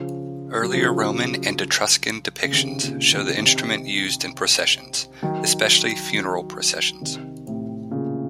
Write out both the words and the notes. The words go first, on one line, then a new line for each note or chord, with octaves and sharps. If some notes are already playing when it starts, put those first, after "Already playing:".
Earlier Roman and Etruscan depictions show the instrument used in processions, especially funeral processions.
Already playing: C#3 F3
F#3
C#3 F3
C#3
C3 D#3
A#2 C#3
C3 D#3
C3 D#3
D#3 F#3
D#3 F#3
C3 D#3
A2 C3
A#2 C#3